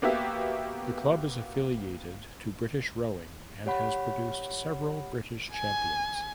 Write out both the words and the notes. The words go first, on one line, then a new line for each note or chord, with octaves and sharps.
The club is affiliated to British Rowing and has produced several British champions.
A#3 B3 F#4 G4 E5
G4 C#5 F#5 B5
G#5